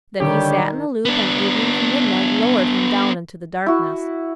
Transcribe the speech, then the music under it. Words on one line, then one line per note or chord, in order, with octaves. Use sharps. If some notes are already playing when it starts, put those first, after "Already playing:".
Then he sat in the loop, and Evening and Midnight lowered him down into the darkness.
D3 D#3 G3 G4 C#5
B3 D4
E4 F#4